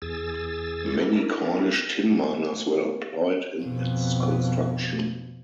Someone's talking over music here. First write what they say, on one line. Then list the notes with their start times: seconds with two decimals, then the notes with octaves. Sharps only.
Many Cornish tin miners were employed in its construction.
0.02 E2 G#4 E6 A6
0.96 D4 E4 A#4
3.62 F2 B2